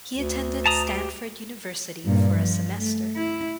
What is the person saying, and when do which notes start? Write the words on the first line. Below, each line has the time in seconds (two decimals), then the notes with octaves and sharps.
He attended Stanford University for a semester.
0.15 D2
0.66 A5 A#5 D#6
0.88 G4
2.05 G2 A#2
2.35 F3
2.80 A3
3.17 E4